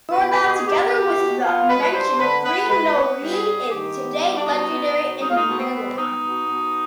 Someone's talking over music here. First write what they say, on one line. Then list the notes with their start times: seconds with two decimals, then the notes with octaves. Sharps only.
Nordahl, together with the mentioned Gre-No-Li is today legendary in Milan.
0.10 B4
0.17 B2
0.29 B4
0.42 B2 G4
0.48 G#4
0.67 B3 G4
0.92 B3
1.17 B2
1.43 B3 F4
1.68 G#3 B4
1.83 B4
1.93 G2 C5
2.18 D3 B4
2.44 B3 B4
2.69 G#3 B4
2.94 B3 B4
3.19 G3
3.32 G#4
3.45 G2
3.70 D#3 G4
3.95 B3
4.21 G3
4.36 D4
4.46 B2 D#4
4.71 B3
4.96 B2
5.21 G#3 D#4
5.29 F4
5.37 D#4
5.47 B2
5.59 C4
5.72 B3
5.97 B3 D#4
6.23 B2
6.48 B2